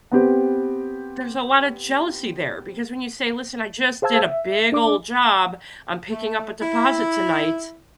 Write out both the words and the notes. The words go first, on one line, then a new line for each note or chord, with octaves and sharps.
there's a lotta jealousy there, because when you say, "Listen, I just did a big old job. I'm picking up a deposit tonight."
B3 C4 G4
G#4 C5 F5 A5 E6 G#6
E5
D4 D5 D6
A3
E4